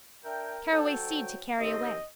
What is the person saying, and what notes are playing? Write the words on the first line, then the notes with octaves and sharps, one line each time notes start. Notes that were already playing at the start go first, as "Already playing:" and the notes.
Caraway seed to carry away.
D4 A#4 E5 G5
D2 F#3 A4 G5
D#2 C4 D#5